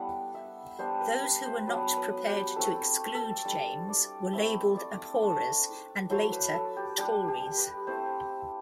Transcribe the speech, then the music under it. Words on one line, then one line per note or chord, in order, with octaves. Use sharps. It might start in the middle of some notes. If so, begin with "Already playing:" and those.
Those who were not prepared to exclude James were labelled "Abhorrers" and later "Tories".
Already playing: G3 A3 B3 D4 E4 F#5
E5
G3 B3 D4 C5
B4
B4
C5
F#3 B3 D4 B4
B4
G4
A3 C4 E4 A4
A4
G3 D4
D5
A3 C4 E4 E5
D5
A3 D4
F#3 A3 E4 C5
B4
A4
G4
G3 D4 G4
G4
B4
A3 C4 E4 C5